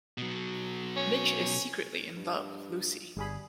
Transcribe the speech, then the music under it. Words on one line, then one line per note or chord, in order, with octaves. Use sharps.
Mitch is secretly in love with Lucy.
B2 F#3
C#4
G2
G1 G3 G#4 B5